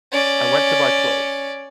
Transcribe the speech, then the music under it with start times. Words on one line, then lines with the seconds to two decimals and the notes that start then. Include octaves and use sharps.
I went to buy clothes.
0.12 C#4 D5